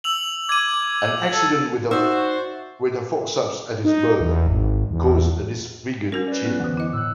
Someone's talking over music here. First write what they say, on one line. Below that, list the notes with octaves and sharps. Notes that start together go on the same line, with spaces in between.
An accident with a forceps at his birth caused a disfigured chin.
E6 F7 F#7
D6 G#6 D#7
A4
D#4 F#4 C5 D5 E5
D#4
E2
G#1
E2
G3 C#4 F#4 A#4 A#6
B4 D5
B3 F#6
F2 D3 E3
E4 D#5
A2 E6 F#6